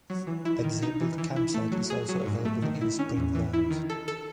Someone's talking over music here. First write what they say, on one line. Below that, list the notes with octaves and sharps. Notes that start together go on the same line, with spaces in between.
A disabled campsite is also available in Spring Ground.
F#3
E3
E4
D#3
D#4
E3
E3
E4
A3
F#3
G#4
F#3
G#2
A3
D#3
E4
C#4
E2
E3
E4
D#3
A4
A4